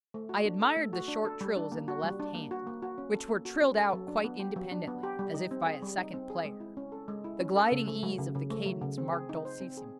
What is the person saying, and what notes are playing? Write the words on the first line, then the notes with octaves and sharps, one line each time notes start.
I admired the short trills in the left hand, which were trilled out quite independently, as if by a second player; the gliding ease of the cadence marked dolcissimo.
A3
F#4
D4
A4
A3
F#4
D4
A4
G3
D4
A#3
F#4
G3
D4
A#3
F#4
A#3
F#4
C#4
A4
A#3
F#4
C#4
A4
F#3
D4
B3
G4
F#3
D4
B3
G4
G3
D#4
C4
G#4
G3
D#4
C4
G#4
G#3
E4
C#4
A4
G#3
E4
C#4
A4
C#3
A3
F#3
C#3
C#3
A3
F#3
C#3
C4
G#4
D#4
C5
C4
G#4